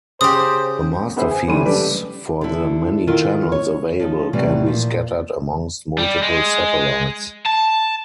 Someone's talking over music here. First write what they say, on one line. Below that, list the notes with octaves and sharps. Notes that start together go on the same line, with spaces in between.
The master feeds for the many channels available can be scattered amongst multiple satellites.
C#3 G4 C5 D#6
B3 G#4 C5 E5
G#5
G1 A2 E3 G3 C6 D#7
F#1 G2 A3 G4 B4 D5
D3 E4
D#3 E4 F4 A#4
C#5
F3 D#4
A2 C3 E3 F#3 G3
A#2 F3
G3
G#3
A5